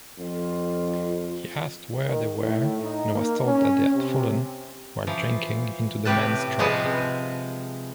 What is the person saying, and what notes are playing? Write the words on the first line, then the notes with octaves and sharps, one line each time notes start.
He asked where they were and was told that they had fallen, while drinking, into the men’s trap.
F2 F4
D#3
A2
D#4
A#3
C#4
C3
E3 F3
A2 C3 G4 B4 A5
C3 F3 G#3 G#4 B4 A5
C3